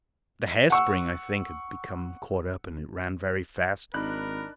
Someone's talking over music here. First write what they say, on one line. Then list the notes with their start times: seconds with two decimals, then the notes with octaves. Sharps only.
The hair spring, I think, had become caught up and it ran very fast.
0.70 F#5 C#6 E6
3.94 G#1 D4 D#4 A#4 B5 F#6